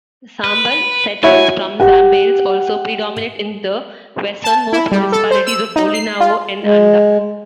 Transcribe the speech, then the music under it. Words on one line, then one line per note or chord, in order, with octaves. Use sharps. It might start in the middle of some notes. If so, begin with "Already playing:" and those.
Sambal settlers from Zambales also predominate in the westernmost municipalities of Bolinao and Anda.
B4
E4 F#4 C#5 G#5
G4 F#5
A5
E4
G3
A4
C5
E6
D#4
C7
F4
G#3